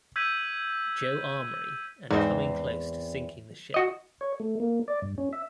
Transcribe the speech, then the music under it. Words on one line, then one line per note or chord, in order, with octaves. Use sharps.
Joe armory and coming close to sinking the ship.
E6 G6 G#6 B6 D#7
E2 G#2 C4 D#4
F#4 D#5
C#5
A3
A#3
D5
G2
C#4
E5